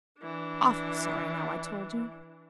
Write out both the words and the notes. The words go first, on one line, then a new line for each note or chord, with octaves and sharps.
Awful sorry now I told you.
E3 D4